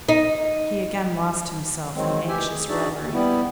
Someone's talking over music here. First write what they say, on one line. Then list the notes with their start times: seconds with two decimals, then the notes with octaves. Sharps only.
He again lost himself in anxious reverie.
0.09 D#4
1.95 D#3 F#3 G#3 C4
2.28 D2 E3 G4 E5 G#5
2.50 G#4
2.69 D4 D#4 F#4 G#4 D5 E5
2.99 D#2
3.13 G3 B3 E4